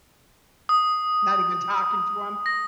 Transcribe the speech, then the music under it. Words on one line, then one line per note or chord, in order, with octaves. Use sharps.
Not even talking to him?
D#6
A#6